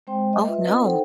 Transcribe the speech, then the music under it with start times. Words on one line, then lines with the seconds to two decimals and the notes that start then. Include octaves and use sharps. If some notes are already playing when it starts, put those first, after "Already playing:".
Oh, no.
0.07 G#3 C4 C5 G5 C6
0.33 D#5
0.45 F4 B4 D#5 E5
0.67 C4
0.81 D#4 A4 C5 F#5 G5